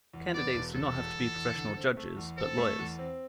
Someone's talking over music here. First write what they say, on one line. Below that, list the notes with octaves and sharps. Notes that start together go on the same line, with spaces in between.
Candidates do not have to be professional judges, but lawyers.
E2
B3 D5
E1
E1 A4
E2
E2
E2
D3
C4
A3
E2
C4 A4
A3
E2
C4